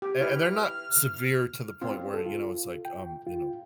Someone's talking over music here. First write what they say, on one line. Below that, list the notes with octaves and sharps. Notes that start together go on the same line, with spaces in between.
A and they're not severe to the point where, you know, it's like, um, you know,
G4
E4 B4 F6
C4 F4
A4
F4
G5
F4